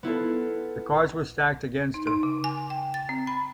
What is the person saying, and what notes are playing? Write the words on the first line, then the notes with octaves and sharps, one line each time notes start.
The cards were stacked against her.
B3 E4 F4 A4
D#4
D#4
C#3
G#5
G5
A6
C4
B5